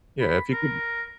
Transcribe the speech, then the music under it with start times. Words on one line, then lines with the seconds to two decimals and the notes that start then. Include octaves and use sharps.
Yeah, if you could
0.21 B5
0.52 A#4